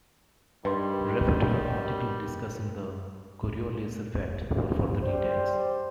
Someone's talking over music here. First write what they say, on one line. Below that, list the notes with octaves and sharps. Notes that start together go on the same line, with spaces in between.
Refer to the article discussing the Coriolis Effect for further details.
G2 D#3 G3 B4 C6
G3 C5